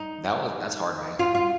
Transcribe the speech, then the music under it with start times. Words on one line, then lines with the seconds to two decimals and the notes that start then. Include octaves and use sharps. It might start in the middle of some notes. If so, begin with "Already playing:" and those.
that was that's hard, man.
Already playing: D#4
1.19 F4
1.35 F4